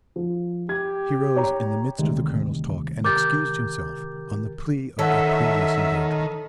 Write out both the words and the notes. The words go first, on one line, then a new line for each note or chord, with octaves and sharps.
He rose in the midst of the Colonel's talk and excused himself on the plea of a previous engagement.
F3
G4 G#6
C#5 A#5
D2 C3 D#3 G3 G#3
G4 A#4 D6 G6 A6
D#3 A4 C#5 D#5 E5 F#5